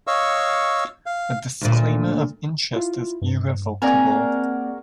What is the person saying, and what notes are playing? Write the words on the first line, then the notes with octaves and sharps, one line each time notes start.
A disclaimer of interest is irrevocable.
C#5 D#5 F5 C#6 E6
F5
D2 A#2
E4 F4
G2
A#3 C4 F#4 G#4 A#4 D5